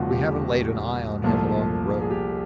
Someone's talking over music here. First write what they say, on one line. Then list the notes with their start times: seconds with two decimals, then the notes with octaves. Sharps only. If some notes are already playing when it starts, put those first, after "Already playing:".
We haven't laid an eye on him, along the road.
Already playing: E1 D#2 C#3 F3 F4 F#4
0.11 G4
1.24 C2 A#2 F3 A3
2.01 G#4
2.11 G4